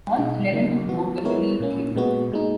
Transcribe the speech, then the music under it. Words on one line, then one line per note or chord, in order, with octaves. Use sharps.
All eleven on board were believed killed.
B2 G#3 D#4
C#3 F#3 A#3 D#4
E3 B3 F#4
G#3 B3 E4 A#4 C#5
A#2 A#3 C#4
A#2 G#3 B3 F#4
A#2 G#3 D#4